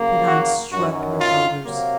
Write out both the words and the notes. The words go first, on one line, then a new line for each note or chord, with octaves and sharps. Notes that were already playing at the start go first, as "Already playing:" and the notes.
Prudence shrugged her shoulders.
Already playing: C#3 F#3 A#3
F#4
F#2 D#3 F#3 F#4
F4
C3 F#3 A#3